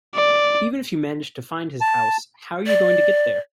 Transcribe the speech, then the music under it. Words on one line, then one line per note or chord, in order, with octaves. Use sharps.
Even if you managed to find his house, how are you going to get there?
D5
A5
D5